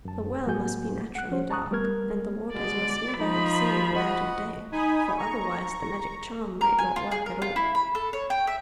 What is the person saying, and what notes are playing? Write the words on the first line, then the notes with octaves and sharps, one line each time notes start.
"The well must be naturally dark, and the water must never have seen the light of day, for otherwise the magic charm might not work at all."
F#2 A5
A2 F#3 A#3 F#4 G#5 G6
F#5 F#6
F3 C#4 C5
A5 A#5 C#6 D#6 F#6
G3 A3 B3 A#4 F6 G#6
B2 D3 G#3 D5
F3 D#4 B5
F#4 D#5
D#4 G#5 B5 D#6
A#5 C#6
A#4
G#5
F4
G#4
A#4
F4
E4
B5
A4
C#5
G5
E5